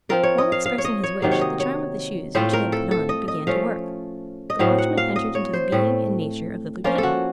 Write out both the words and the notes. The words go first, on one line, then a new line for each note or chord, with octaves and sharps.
While expressing his wish, the charm of the shoes, which he had put on, began to work; the watchman entered into the being and nature of the lieutenant.
F3 C4 F4 A#4
C#5
D#5
F5
F5
C#5
D#5
C#5
C3 D#3 F#3 A#3 F5
C#5
D#5
C#5
A2 A3 C4 F4 C5
A#4
A4
A4
D#5
D#5
F3 A3 C#4 F5
D#5
A2 F#3 C4 F5
F#5
F5
D#5
C#5
C5
A2 A3 C4
F3 A#3 C#4 F4
A4
F#4